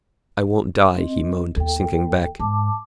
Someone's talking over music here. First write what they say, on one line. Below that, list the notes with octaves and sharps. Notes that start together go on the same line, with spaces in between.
"I won't die," he moaned, sinking back.
C4 D#5
D#2 A4 G5
G#2 A5 D6